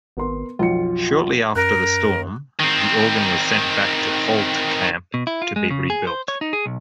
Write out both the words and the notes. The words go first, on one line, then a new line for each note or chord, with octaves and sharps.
Shortly after the storm, the organ was sent back to Holtkamp to be rebuilt.
G#1 B3 A#4 C6
B1 F2 F4 C#7
F#2 A#4 F#6
D#3 C4
B2
E4
F4
G#3
C#3
G#4
C5
C#5
D#4
G#4
B1